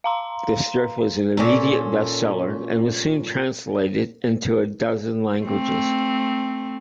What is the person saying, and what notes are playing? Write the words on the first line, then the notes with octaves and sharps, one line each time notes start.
The strip was an immediate bestseller and was soon translated into a dozen languages.
F5 A#5 C6
A#2 C#4 A4
A3 C4